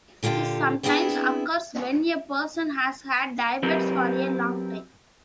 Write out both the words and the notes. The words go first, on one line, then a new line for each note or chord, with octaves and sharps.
This sometimes occurs when a person has had diabetes for a long time.
A#2 D3 F4 G4 A4
B3 C4 D4 E4 F4 G#4
F#3 C4 G4 A#4 B4